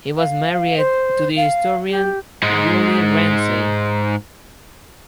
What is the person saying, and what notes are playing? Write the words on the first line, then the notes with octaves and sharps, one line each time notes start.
He was married to the historian Jully Ramsay.
F5
C5
F5
G4
G#2 G#3